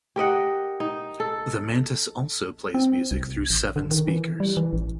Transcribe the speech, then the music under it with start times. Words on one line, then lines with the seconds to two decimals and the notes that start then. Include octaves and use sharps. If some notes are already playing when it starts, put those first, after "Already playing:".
The mantis also plays music through seven speakers.
0.16 G4 A#4 D#5 F#5
0.80 D#4
1.20 A4
2.74 C4
3.11 C2
3.50 A1
3.76 D3
3.91 D#3
4.08 E3
4.40 G3
4.57 E3
4.73 A1